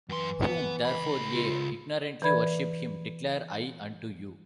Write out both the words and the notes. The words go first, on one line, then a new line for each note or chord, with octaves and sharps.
Whom therefore ye ignorantly worship, him declare I unto you.
F#2 E3 C6
B3
C#2 B5
F4
E3 B4 D5 B5 G#6